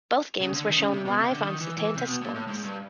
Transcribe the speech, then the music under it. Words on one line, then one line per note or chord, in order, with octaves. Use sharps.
Both games were shown live on Setanta Sports.
C#3
D3
D#3
C#3
C3
B2
C3
D3
D#3
E3
E3
C3
B2
A#2
A2
G#2
G2